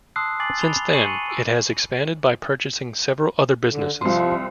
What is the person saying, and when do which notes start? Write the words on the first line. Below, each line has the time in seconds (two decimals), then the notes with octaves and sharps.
Since then, it has expanded by purchasing several other businesses.
0.16 A5 C6 D#6 E6 F#6 C7
0.40 G#5 D6 A6 C7 F#7
0.59 B5 F7 G7
0.93 G#5 C#6 C7 C#7 D#7 F#7
1.30 D6 E6 D7
3.68 D3
4.01 C2 F3 C6